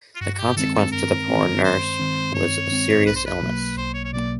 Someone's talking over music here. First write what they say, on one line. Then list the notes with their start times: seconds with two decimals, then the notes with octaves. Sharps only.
The consequence to the poor nurse was a serious illness.
0.15 F4
0.21 G2 F#4
0.34 F#4
0.39 G4
0.57 D#3 G#3 C4 A4
0.74 A4
0.92 G2 A#4
1.28 D#3 G#3 C4
1.64 G2 C5
1.99 D#3 G#3 C4
2.34 G2 C#5
2.70 D#3 G#3 C4
3.06 B1 B4
3.16 C5
3.26 B4
3.41 B2 F#3 A#3
3.77 B1 C5
3.94 C#5
4.05 C#5
4.13 B2 F#3 A#3 D5